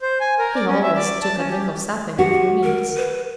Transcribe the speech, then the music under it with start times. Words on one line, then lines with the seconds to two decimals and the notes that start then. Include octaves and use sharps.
He always took a drink of sap every few minutes.
0.02 C5
0.20 G#5
0.39 A#4
0.55 D5
0.68 C#4
0.83 E5
0.96 D5
1.22 A5
1.37 C#4
1.50 G4
2.19 F#4 G4
2.64 A#4
2.97 B4